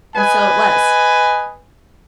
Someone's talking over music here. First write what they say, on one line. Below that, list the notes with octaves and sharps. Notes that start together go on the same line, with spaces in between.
And so it was.'
B4 D#5 G#5